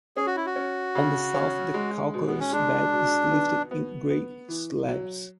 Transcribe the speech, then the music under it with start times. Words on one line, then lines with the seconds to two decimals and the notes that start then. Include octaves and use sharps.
On the south, the calcareous bed is lifted in great slabs.
0.17 C#4 G#4
0.27 F#4
0.36 E4
0.46 F#4
0.56 C#4
0.95 C#3
1.34 C#4
1.74 G#3
2.14 B2
2.27 B3
2.40 C#4
2.52 G#3 D4
2.92 B2
3.31 B3
3.71 B3
4.10 B3
4.48 E3
4.88 F#3